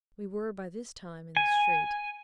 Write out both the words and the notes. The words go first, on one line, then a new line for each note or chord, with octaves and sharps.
We were by this time in the street.
G#5